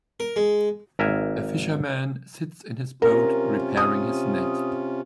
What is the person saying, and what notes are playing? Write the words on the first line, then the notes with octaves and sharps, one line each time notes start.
A fisherman sits in his boat repairing his net.
A#4
G#3
G#1 A#4 E5 G#5
C3 C#4 F4 A#4
D#6